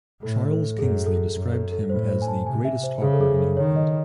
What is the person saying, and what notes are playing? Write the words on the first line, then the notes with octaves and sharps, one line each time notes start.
Charles Kingsley described him as "the greatest talker in England".
A2 A4
A4
F#2 G#4
A4
F#2
A4
A4
A2 C5
C5
G#5
A5
C3 G#5
E5
C5
C#3 G#4
A4
G#4
A4
D#3 C#5
D#5